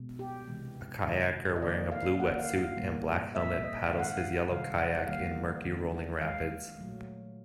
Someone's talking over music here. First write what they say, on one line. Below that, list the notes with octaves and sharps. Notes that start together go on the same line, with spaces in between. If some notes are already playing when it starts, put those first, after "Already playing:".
A kayaker wearing a blue wetsuit and black helmet paddles his yellow kayak in murky rolling rapids.
Already playing: B2 G#3
G4
C3 E3 G#3
C3 D#3 G#3
D#5
D#3 F#3 A#3 D5
F5
D3 F3 A#3 F#5
F5
F5
A#2 G3 A#3
A#2 G3 A#3 E5
D#5
D#3 G#3 F5
F#5
F5
C3 D#3 G3 F5
F#5
D#3 G3 A#3 F5
D#3 G#3
D#3 G#3 F5
A#2 F#3 A3